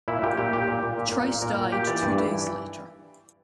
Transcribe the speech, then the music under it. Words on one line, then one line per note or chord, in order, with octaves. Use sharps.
Trice died two days later.
A#2 E4
A#2 G4
A#2 G4
A#2 G4
A#2
A#2
A#2
A#2
A#2
A#2 A#4
A#2
A#2 G4
E3 D5
G2
E3